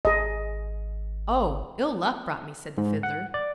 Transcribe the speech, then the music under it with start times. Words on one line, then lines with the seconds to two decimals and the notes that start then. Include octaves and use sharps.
"Oh, Ill-Luck brought me," said the Fiddler.
0.05 G#1 G#4 D#5
2.78 G#2
3.03 F#5
3.34 D5